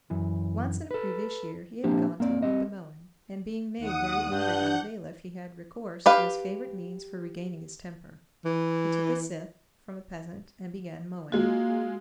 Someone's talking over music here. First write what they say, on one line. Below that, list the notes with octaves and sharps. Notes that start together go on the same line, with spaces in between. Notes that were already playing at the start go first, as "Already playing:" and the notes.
Once in a previous year he had gone to look at the mowing, and being made very angry by the bailiff he had recourse to his favorite means for regaining his temper,--he took a scythe from a peasant and began mowing.
F#2 E3
A4 B4
F3 A#3 C4 D4 G4
A#3 C4 D5
G3 C4 D#5
D#2 F#5 D#6
G2 D4 F#5 G6
G4 B4 F5
E3
G#3 A#3 F4 F#4